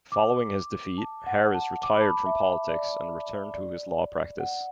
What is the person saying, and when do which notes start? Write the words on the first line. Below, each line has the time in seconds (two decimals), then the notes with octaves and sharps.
Following his defeat, Harris retired from politics and returned to his law practice.
0.12 D6
0.98 A5
1.27 F#5
1.54 A5
1.83 D6
1.92 B5
2.01 A5
2.10 B5
2.26 E5
2.69 D5
3.54 D5
4.40 F#5